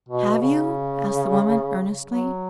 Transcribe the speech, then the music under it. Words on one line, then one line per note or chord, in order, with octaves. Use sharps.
"Have you?" asked the woman, earnestly.
B2
C#3
F#3